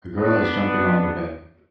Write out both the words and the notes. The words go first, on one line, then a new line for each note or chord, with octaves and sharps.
A girl is jumping on the bed.
B3 D4